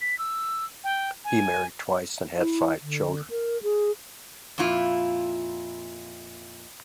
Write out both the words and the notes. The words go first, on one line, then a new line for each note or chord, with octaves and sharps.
He married twice, and had five children.
B6
E6
G5
G#5
E4
D3
A#4
G#4
F2 A#2 E4 F4